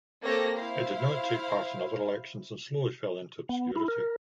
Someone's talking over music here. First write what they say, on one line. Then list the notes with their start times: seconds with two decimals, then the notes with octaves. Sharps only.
It did not take part in other elections and slowly fell into obscurity.
0.24 A#3 C4 G4 A4 C#5 A#6
0.57 E4 C5 F5
3.49 B3
3.76 E4
3.88 A#4